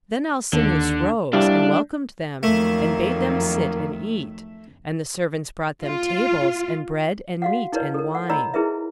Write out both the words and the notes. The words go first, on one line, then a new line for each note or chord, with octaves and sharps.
Then Alcinous rose, and welcomed them, and bade them sit and eat; and the servants brought them tables, and bread, and meat, and wine.
D#2 D3
G3 D4 E4 F5
F2 D#3 F#3 A3 A#3
F4
F#4 F5 F#5
D#4 E4 A#4 B4 C#5 D#5
A4 A#4
F#5
D#4 C#5 D#5 A#5 B5 E6
D#4 E4 G#4 A#4 B4 E5